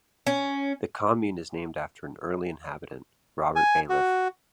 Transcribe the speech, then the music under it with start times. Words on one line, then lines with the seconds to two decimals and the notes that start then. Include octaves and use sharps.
The commune is named after an early inhabitant, Robert Baillif.
0.27 C#4
3.56 G#5
3.89 F#4